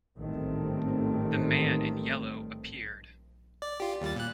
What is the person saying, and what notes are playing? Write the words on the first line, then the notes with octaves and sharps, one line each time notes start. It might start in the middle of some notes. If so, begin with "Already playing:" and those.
The man in yellow appeared.
A1 G#2 D#3 G3 A3 C4
D5
F4 G4
D#2 G3 A6
A#2 F#6